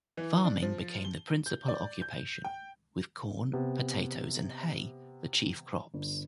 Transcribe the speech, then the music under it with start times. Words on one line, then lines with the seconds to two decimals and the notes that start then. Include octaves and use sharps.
Farming became the principal occupation, with corn, potatoes and hay the chief crops.
0.17 E3
0.45 D4
0.62 F3
1.05 G7
1.46 G6
1.68 D5
2.02 G6
2.45 G5
3.53 C3 B3
5.94 G1